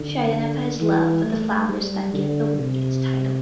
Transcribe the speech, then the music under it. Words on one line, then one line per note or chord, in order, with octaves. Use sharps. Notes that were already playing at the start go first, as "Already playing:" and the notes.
She identifies love with the flowers that give the work its title.
Already playing: D3
E3
A3
G3
D3
C3